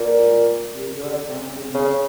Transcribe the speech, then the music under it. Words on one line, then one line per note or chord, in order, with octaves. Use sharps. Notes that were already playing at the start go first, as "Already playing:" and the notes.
Liga champions.
Already playing: A#2
C#3